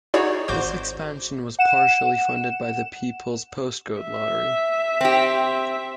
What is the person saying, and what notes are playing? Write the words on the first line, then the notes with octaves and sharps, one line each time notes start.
This expansion was partially funded by the People's Postcode Lottery.
D#4 E4 F#4 G#4 C#5 D5
G#1 F#4 C5 D6 G6
F#5 E7
E5
C4 G4